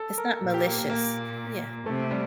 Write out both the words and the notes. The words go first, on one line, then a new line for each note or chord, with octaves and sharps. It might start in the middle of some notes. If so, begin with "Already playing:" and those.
It's not malicious, yeah.
Already playing: A4
A#4
A#2
G4
A#3
A#3
A#2 A#3
C3 A3
G3